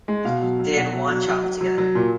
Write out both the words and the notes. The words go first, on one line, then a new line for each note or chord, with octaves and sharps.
They had one child together.
G#3
B2 F5
F#3
F#3
B2 F#5
F#3
F#3
F#3
F#3
F#3
F#3
A#2